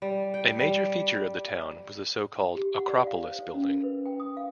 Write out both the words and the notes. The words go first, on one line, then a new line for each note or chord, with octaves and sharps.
A major feature of the town was the so-called 'acropolis' building.
G3
G5
G3
G4
F#5
D5
F5
C5
C#5
C#4
A#4
B4
G5
D#6
F5